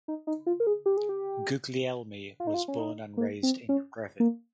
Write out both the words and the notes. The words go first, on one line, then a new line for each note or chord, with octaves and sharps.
Guglielmi was born and raised in Revin.
D#4
D#4
F4
A#4
G#4
G4
G#4
G4
F4
D#4
F4
C#4
D#4
A#3
C4
C#4
A#3